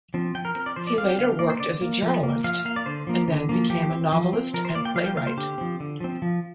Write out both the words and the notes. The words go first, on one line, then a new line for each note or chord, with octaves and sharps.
He later worked as a journalist, and then became a novelist and playwright.
F3 C4
F3 G5
A#4
C4 A#4
D5
F3 C5
D5
C4 F5
G5
D3 F5
A#3 D5
C5
D3 D5
A#3
F3
A#3
F3 F5
F5
A#3 F5
D5
D3 C5
F3 A#3
D3
F3 A#3
F3 G4
C4
F3
C4
F3 A#4
C5
A#3 D5
G5
F3 F5
G5
A#3 F5
C5
D3 G4
F3 C4
D3
F3 C4
F3